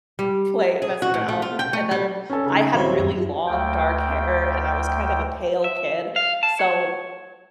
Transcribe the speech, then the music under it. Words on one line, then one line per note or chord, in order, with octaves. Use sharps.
play mess around. And then I had really long dark hair and I was kind of a pale kid. So
G3
G#4
F#4
A2
A3
F4
G5
A3
G3
C#4 A4
C#3 D#4
D#1 C4 E4 F#4 C5 C#5
F#2
D2 G5
E5
F5
A5
C#5